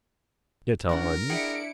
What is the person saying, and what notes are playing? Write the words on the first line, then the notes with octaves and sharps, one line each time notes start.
Get on.
F#3 C#4 D4 A#4 F#5
D4 E4 G#4 F#5 G5 C#7 D7